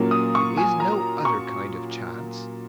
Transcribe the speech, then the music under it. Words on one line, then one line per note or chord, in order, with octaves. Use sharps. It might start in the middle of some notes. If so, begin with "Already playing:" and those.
It is no other kind of chance.
Already playing: A#2 F#3 A#3 C#4
D#6
C#6
G#5
A#5
C#6